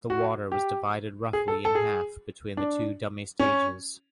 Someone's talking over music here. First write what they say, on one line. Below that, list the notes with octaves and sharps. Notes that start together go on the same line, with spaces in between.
The water was divided roughly in half between the two dummy stages.
F#4
G4
G#4
A4
A4
G#4
D4
C#4